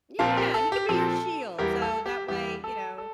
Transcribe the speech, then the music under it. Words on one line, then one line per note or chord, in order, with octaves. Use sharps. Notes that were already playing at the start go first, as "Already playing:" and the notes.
Yeah, he could be your shield, so that way, you know?
A#2 F3 C4 F5 A5
G4 A#4
A4
G4
A#2 F3 C4 A4
E2 E3 G3 G4 A#4
A4
G4
E2 E3 G3 G4
A4
A4